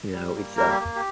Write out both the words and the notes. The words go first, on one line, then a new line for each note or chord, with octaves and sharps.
You know? It's a
G3
A#3
G3 A#4
G4
A#3
G4